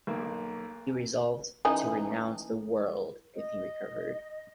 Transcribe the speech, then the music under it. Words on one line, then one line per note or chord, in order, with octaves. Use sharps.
He resolved to renounce the world if he recovered.
B1 A#3
E3 C#4 D#4
D#5